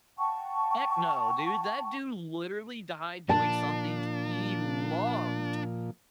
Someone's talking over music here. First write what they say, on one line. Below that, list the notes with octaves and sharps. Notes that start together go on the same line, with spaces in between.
"Heck no, dude. That dude literally died doing something he loved,
F#5 G5 A5 C#6
A#2 F3 D4 A5